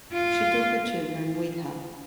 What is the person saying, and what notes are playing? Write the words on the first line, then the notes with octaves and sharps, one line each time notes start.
She took her children with her.
F4